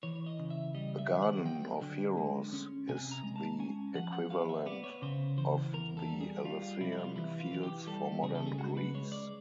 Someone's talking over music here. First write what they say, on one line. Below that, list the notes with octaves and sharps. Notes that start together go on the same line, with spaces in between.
The Garden of Heroes is the equivalent of the Elysian Fields for modern Greece.
E3 C#5
D#5
C#3
E5
G3 D#5
E5
D#3
F#5
F#3 G5
D3
G#3
C#4
C3 G#5
A#5
G#3
A5
C#4 G#5
F3 F#5
F#5
B3 F5
E5
B3 D5
C#5
C#3 C5
E3 C5
E2 A#4
A4
G3
G#4
G3 F4
F4
C3 E4
E4
F4
E3 E4
F4
E3
G4
G3 A4
C#3 G#4
A4
G#4
G#3 F#4
B4
G#3 C#5
D5